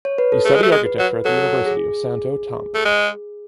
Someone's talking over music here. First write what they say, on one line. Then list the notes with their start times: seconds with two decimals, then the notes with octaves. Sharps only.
He studied architecture at the University of Santo Tomas.
0.05 C#5
0.18 B4
0.32 A4
0.45 A3 G#4
0.54 G#3
0.63 A3
0.72 G#3
0.86 B4
0.99 F#3
1.25 F#3 A4
1.66 G#4
2.74 A3
2.85 G#3